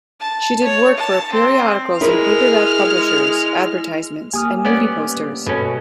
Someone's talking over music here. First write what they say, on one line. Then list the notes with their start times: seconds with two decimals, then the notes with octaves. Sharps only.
She did work for periodicals and paperback publishers, advertisements, and movie posters.
0.20 A5
0.64 C#5
0.97 A5
1.33 C4
2.01 G#3 E4 A#4 B4 F6
4.34 A#3 G4 G#5 D#6 F6
4.65 G3 A3 B3 C#4 D5
5.47 G2 B2 C#4 A4 B4